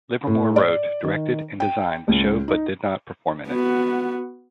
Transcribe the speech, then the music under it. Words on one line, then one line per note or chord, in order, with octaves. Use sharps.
Livermore wrote, directed and designed the show but did not perform in it.
A2
D5
D#3
G5
C#2
D#4
B3 F#4